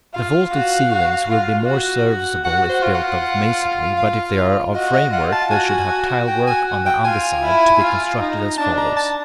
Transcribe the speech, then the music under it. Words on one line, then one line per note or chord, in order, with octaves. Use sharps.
The vaulted ceilings will be more serviceable if built of masonry; but if they are of framework, they should have tile work on the under side, to be constructed as follows.
F4 F5
F#4
F#4
F4
F#4
F#4 F#5
C5
F4
F#5
F5
F#4 D#5
D#5
F4 F#5
A5
F#4 G#5
F#4
G5
G#5
G5
F4 G#5
E4
F4
D#4
D4 A5
A#5
A5